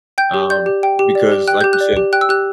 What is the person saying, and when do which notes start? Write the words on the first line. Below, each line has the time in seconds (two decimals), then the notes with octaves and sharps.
um, because like you said
0.18 G5 G6
0.34 G4
0.50 D5 G6
0.66 G4
0.83 G5
0.99 G4
1.15 D5
1.32 G4
1.48 G5 F#6
1.61 G4 G6
1.73 F#6
1.80 D5
1.97 G4
2.13 G5 F#6
2.21 E6
2.29 G4 F#6